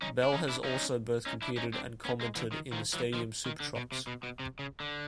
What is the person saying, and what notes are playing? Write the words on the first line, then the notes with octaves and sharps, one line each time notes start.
Bell has also both competed and commented in the Stadium Super Trucks.
C#4 D#4
D4
C#4 D#4
D4 E4
C#4 D#4
C#4 D#4
D4 E4
C#4 D#4
C4 D4
B3 C#4
G#3 A#3
D3 E3
D#3
D#3 F3
E3 F#3
D#3 F3
D#3
D3
B2
C3
B2
B2
C3
C#3
D3